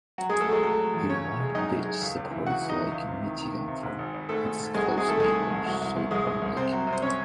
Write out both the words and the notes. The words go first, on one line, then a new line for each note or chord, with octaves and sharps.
A wide beach separates Lake Michigan from its close neighbor, South Bar Lake.
F#3 F#4
G#3 G#4
F#3
A3 A4
F#3 G#3 G#4
F#3 A3 A4
F#3
E2
C#3 C#4 C#5
G#1
G#3
F#2 D#4 D#5
F#2
G#3
C#2
C#2
E3
C#3 F#4 F#5
E3
D#4 D#5
E3
C#2
C3
D#3
D#3
D#3
C3
G#2
G#1
G#1
G#2 A3 A4
G#1
G#2
C2 G#3 G#4
F#4
C3
G#3 G#4
D#3 A3 A4
C2 G#3 G#4
D#3
C2
C2 F#4
C2
C2
C2 G#3 G#4
C2
C2
C3 C4 C5
F#3
C3
C5
C3 C#4 C#5